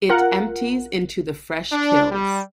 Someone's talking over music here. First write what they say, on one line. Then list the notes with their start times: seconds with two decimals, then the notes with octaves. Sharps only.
It empties into the Fresh Kills.
0.09 F4 A#4 F#5
1.72 D4
2.11 G3